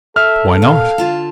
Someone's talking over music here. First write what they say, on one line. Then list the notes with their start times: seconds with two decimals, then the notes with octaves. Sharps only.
"Why not?"
0.16 A4 E5 F6
0.62 A#2 F5
0.98 D3 F4 A5